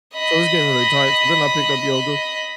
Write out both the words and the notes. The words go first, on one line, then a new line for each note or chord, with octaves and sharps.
So, it's getting really tight so, then I picked up yoga
D#5 B5